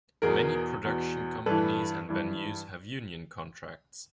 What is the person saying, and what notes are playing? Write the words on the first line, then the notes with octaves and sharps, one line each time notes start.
Many production companies and venues have union contracts.
E2 B2 G#4 A#4
E2 B2
G2 E3 A4 B4
G2 E3